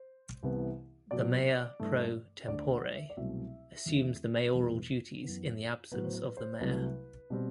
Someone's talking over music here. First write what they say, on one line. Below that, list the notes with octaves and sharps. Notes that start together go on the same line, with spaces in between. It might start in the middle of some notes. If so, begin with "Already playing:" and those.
The Mayor Pro Tempore assumes the Mayoral duties in the absence of the Mayor.
Already playing: C5
C2 C3 E3 B3
B2 F#3 B3 D5
G2 E3 A3
D2 D3 A3 D5
F#5
E5
D5
C2 B2 F#3 A3 C4 E5
E2 D3 A3 C4
E2 B2 G3 B3
F#2 E3 B3
A2 F#3 B3 B4
C5
B4
C5
C2 C3 F#3 A3 B4
B2 G3 C4